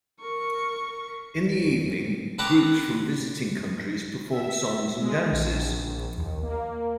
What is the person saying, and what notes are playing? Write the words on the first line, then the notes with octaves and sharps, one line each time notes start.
In the evening, groups from visiting countries perform songs and dances.
A#4 C#6
A4 B4 F#5 G5 A#5 D6
E5
G#3
A#1
D#2
A#3